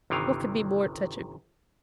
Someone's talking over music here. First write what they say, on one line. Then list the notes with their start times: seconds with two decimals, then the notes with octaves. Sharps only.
What could be more touching?
0.10 G1 C3 D#3 E3 F5